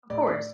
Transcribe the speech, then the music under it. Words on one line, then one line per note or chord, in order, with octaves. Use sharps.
Of course.
A2 D5
D5